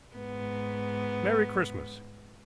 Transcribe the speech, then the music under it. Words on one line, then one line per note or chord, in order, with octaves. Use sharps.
Merry Christmas!'
G#2 B3